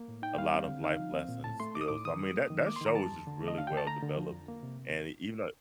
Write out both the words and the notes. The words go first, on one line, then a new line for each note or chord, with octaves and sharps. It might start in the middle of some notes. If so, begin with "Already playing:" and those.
a lot of life lessons still so, I mean that that show was just really well developed. And even though
Already playing: A#3
A2
D#4 G5
G3 F5
C4
D3
D#4 F5
F3
C4
A#2
A2 A5
A3 C6
D#4 D6
D#6
A2 D6
D#3 D#6
G3
A#3
D#3
A#3 D6
C6
D#3
A#5
G3 A5
F2
D3
A3
D#5
D4 F5
D3 G5
A5
A3 A#5
D3
F3
F2
A#3
C3